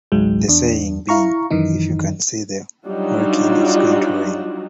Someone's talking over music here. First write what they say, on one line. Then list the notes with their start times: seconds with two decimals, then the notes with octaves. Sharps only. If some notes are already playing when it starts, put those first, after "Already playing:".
The saying being, If you can see the Wrekin, it's going to rain.
0.12 G#1 C#2 G#2 F#3 G#3
0.48 E2 D4
1.09 E4 F5 A#5 C#6
1.51 F#2 D#3 E3 D#4
2.87 F#3 G3 D4 D#4 F4 F#4